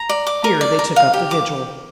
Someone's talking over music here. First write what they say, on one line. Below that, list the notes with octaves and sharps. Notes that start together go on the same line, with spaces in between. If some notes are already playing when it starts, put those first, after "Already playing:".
Here they took up the vigil.
Already playing: A#5
D5
D6
A#4
D5
A#4
F5
G4
D6